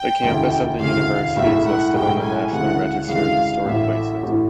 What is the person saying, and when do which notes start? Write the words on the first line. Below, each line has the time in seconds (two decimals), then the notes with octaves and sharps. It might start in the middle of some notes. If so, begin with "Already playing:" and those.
The campus of the university is listed on the National Register of Historic Places.
Already playing: G5
0.22 E1 D2 C#3 E3
0.79 E1 D2 C#3 E3 F5
1.36 B1 A2 E3 G#3 E5
1.66 F#5
1.94 B1 A2 E3 G#3 G5
2.22 G#5
2.51 D2 C#3 E3 G#3 F#5
3.08 D2 C#3 E3 G#3 F5
3.65 A1 A2 E3 E5
4.23 A1 A2 E3